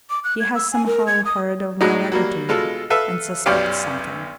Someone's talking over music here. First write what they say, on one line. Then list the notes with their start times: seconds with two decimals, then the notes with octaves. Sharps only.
He has somehow heard of my letter to you and suspects something.
0.10 D6
0.24 F#6
0.40 G#6
0.55 E6
0.73 G#5
0.86 A#4
1.07 G#6
1.25 D#6
1.81 A2 F#3 G#3 D4 D#4
2.12 F#3 G3 A#3
2.48 B2 G#3 F4 A4
2.90 A4 B4 E5 F5
3.46 B1 F#2 C#4 G4 D5 F5